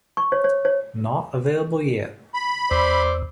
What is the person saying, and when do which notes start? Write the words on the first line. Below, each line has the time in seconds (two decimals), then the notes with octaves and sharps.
Not available yet.
0.17 C#6
0.32 C#5
0.44 C#5
0.65 C#5
2.34 B5
2.71 E2 C5 D5